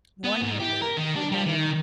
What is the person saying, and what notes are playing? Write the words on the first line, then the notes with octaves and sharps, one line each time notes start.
One year we had a
B3
G#2
G4
A#4
D#3
D4
G3
D#3